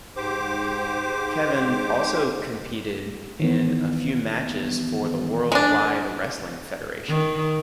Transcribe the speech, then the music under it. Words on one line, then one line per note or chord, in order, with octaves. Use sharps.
Kevin also competed in a few matches for the World Wide Wrestling Federation.
G#2 G4 C5 D6
D#3 E3 B3
G#3 D4
D#3